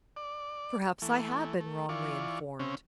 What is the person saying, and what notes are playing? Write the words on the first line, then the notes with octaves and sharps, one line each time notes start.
'Perhaps I have been wrongly informed.
D5
E3 A3
A3
E3 F4 D5 C#6
C#3 C4 C#4